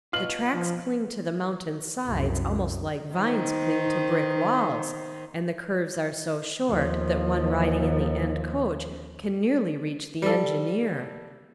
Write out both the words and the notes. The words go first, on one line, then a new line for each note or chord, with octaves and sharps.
The tracks cling to the mountain sides almost like vines cling to brick walls, and the curves are so short that one riding in the end coach can nearly reach the engineer.
B2 F#3 F4 F6 F#7
F3
C2 F#2
D#3 C5
D#2 F3
G3 A4